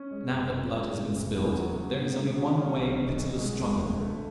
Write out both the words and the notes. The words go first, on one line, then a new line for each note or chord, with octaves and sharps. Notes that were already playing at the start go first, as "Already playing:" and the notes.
But now that blood has been spilled there is only one way--pitiless struggle.
Already playing: C#4
G#3
F#1
F#2
G#3
C#3
F#1
E2
F#3
C#3
D3
G#3
F#4
C#4
B1
B2
B1
G#3
E1
D2
A3